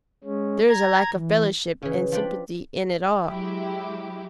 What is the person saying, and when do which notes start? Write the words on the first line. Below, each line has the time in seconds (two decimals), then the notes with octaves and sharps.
There is a lack of fellowship and sympathy in it all.
0.24 G#3 C#4
0.68 A#5 G#6
1.13 E3
1.82 C#3 E3
2.12 F3 D4 G5 B5
3.27 F#3 G#3 E4 G4